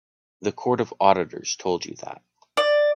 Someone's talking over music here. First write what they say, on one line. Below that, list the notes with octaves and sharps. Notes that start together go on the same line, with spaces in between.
The Court of Auditors told you that.
D5